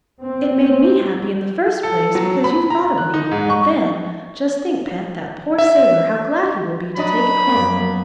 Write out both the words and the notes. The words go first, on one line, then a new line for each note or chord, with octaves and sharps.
"It made me happy in the first place because you thought of me, and then, just think, Pet, that poor sailor, how glad he will be to take it home."
C4
C4
A4
F#3
B5
A#5
F#6
D#4
G#2
C#6
E5
F#3 D4 D#5 B5
F#2 A#3 B3